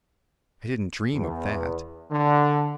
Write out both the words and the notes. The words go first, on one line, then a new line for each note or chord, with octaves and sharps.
I didn't dream of that.
E2
D3